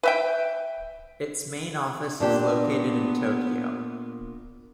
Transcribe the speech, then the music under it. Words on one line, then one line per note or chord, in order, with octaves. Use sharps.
Its main office is located in Tokyo.
B4 E5 G5
A#2 B3 D4 G4